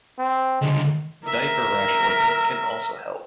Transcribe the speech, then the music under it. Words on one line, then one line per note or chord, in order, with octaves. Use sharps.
Diaper rash ointment can also help.
C4
C#2 D3 G#3
A#4 E5